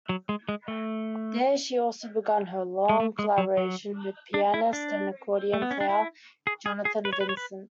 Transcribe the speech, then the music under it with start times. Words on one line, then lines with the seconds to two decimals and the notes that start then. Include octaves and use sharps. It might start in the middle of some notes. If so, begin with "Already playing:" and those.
There she also began her long collaboration with pianist and accordion player Jonathan Vincent.
0.09 F#3
0.29 G#3
0.49 G#3
0.68 A3
2.89 G#3
3.00 A3
3.19 G#3
3.38 F#3
3.57 F#3
4.34 D4
4.54 E4
4.73 D4
5.53 A3
5.62 B3
5.71 C#4
5.81 D4
5.89 E4
6.47 G#4
6.66 G#4
6.85 G#4
7.05 B4
7.13 C#5
7.21 B4
7.29 C#5
7.37 B4